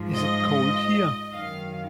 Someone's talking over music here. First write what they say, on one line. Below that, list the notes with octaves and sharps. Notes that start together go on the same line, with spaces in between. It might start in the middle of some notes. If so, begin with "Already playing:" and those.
Is it cold here?
Already playing: G#2 F3
D#5
F#2 D#3 F5